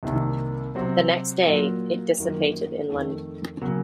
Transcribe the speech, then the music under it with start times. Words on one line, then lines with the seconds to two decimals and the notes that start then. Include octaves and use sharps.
The next day, it dissipated inland.
0.03 C2 C3 D#3 A#3
0.75 C3 F#3 C4 F#4
1.46 A#2 F#3 A#3 F4
2.18 F#2 D#3 F#3 A#3 F4
2.89 F2 D#3 A3
3.62 C#3 F#3 A#3